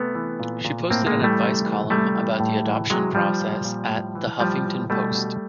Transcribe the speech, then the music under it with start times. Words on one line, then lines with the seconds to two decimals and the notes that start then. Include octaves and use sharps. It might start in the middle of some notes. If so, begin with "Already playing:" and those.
She posted an advice column about the adoption process at "The Huffington Post".
Already playing: C3 A3 B3
0.15 E3
0.40 A#2
0.65 A#2
0.90 A2 A#3 C4
1.06 G#3 A#3
1.15 E3
1.24 G3 A3
1.40 C3
1.65 E3
1.90 C3 G3 A3
2.15 E3
2.40 A2
2.65 E3
2.90 C3 F#3 G#3
3.15 D#3 F3 G3
3.40 A#2
3.65 A#2
3.90 A2
4.15 E3
4.40 A2 F3 G3
4.65 E3
4.90 B2 G3 A3
5.15 B2